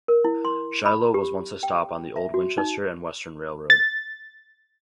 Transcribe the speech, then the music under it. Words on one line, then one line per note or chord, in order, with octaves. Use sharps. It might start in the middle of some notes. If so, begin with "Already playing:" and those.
Shiloh was once a stop on the old Winchester and Western Railroad.
A#4
E4
C6
B5
G4
G5
E5
F#4
D#4
A6